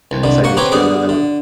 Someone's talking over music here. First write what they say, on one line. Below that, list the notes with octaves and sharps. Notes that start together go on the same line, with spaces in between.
so I could try that out.
C2
C2 D3 G3
A#3 F#5 C#6
C4 G4 B4 C#5 G#5 A#5
D3 B3 G#4 D6
D3